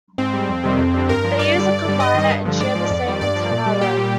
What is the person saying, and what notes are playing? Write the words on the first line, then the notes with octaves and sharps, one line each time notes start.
They use a combiner and share the same antenna array.
G#2 C4
G3
F2
C3 D#3 G3
F2
D3 G3
G2 A#4
F3
G2 D5
D3 G3
G2
D3 G3
G2 D#5
D#3 G3
G2
D3 F3
G#2 D5
F3
F2
D#3 G3
G2 D5
F3
A#2
G3
A#2 G4
G3